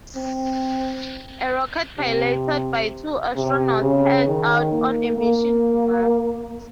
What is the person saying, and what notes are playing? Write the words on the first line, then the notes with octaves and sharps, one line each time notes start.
A rocket piloted by two astronauts heads out on a mission to Mars.
C4
C3
C3
C#3
D#3
A#3
A#3